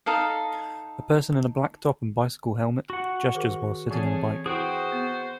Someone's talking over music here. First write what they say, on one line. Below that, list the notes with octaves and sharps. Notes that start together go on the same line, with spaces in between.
A person in a black top and bicycle helmet gestures while sitting on a bike.
D#4 A4 F5
F#4 F#5
D#3 G#4 A#4
E3 A3 C4 C#4 G#4
E4 F#4 G#4 B4 C5 G5
B3